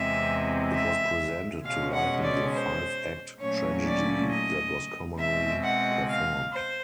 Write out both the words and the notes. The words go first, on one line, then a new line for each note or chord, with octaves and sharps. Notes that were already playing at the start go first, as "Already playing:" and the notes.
It was presented to lighten the five-act tragedy that was commonly performed.
Already playing: E2 C3 E3 G#3 C4 E5
E5
B2 G#3 C#4 F5
F#5
D5
C5
A#2 F#3 A3 C#4 C#5
D5
D#5
B2 G#3 C4 E5
F#5
F5
C5